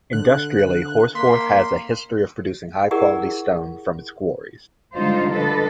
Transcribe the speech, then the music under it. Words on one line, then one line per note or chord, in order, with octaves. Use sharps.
Industrially, Horsforth has a history of producing high quality stone from its quarries.
D3 F#6
A#3 C6 B6
E4 G4 G#4 A#4 D5 F#5
D3 G3 G#3 D#4 F4 C5
D3 D4 A4 B4 D#5